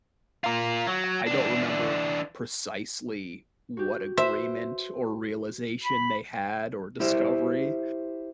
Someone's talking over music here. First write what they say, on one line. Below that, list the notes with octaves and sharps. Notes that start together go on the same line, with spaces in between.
I don't remember precisely what agreement or realization they had or discovery,
F4 A#4
F#3
E3 D4
F#4 G4
B4 C5 E5
B5
E4 G4 C5 E5